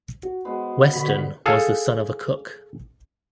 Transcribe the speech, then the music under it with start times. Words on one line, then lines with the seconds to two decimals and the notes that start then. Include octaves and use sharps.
Weston was the son of a cook.
0.23 F#4
0.45 G#3 B3 C5
0.94 B2 D3 F#4 B5
1.46 G#4 A4 F5